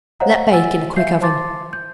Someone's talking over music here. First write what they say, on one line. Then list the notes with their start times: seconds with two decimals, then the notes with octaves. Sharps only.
Let bake in a quick oven.
0.20 C5 C#5 D#5 F5 F#5 A#5
0.51 F#5 G#5 E6 A6
0.96 E5 F5 G6 C7
1.21 C5 A5 C6 D6 A6
1.73 G6